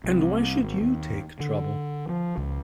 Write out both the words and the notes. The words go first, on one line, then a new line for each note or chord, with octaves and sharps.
And why should you take trouble?
C2
G#1
D#2
D3
F3
C#2